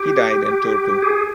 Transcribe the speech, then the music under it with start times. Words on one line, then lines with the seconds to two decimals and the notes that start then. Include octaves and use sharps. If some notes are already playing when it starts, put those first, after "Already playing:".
He died in Turku.
Already playing: G4
1.02 G#4